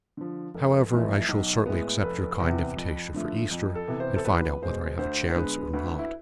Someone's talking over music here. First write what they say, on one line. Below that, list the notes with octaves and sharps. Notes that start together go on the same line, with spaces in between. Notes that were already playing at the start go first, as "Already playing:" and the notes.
However, I shall certainly accept your kind invitation for Easter, and find out whether I have a chance or not.
D3 F3
F1
F2 E3 A3
B1
A2 G#3 B3
F1 B4
E2 C3
F2
D3 F3 A3
F2
A4
C3 E3 B3
C5
A4
E2 B4
B2 G#3 C5
D2 C5
C5
D3 G#3 B3 B4
D2 B4
E4